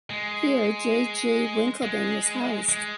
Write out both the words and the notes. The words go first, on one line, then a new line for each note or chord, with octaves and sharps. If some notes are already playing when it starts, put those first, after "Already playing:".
Here J. J. Winckelmann was housed.
G#3
G#3
G#3